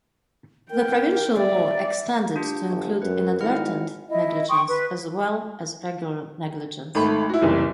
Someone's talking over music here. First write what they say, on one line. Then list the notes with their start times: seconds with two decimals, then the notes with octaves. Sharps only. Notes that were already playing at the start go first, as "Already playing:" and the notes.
The provincial law extended to include "inadvertent negligence" as well as regular negligence.
0.71 A#4 G5
1.37 D5 E5
2.36 D4 F4 G4
2.71 G1
3.02 F#2 B4
3.41 G#1 E4 F#5 F6
4.10 E4 D#5
4.49 G5 C6 C#6 D#6
4.68 B4
6.95 G#1 A3 B5
7.29 E4 F#4
7.41 F#1 C2 E3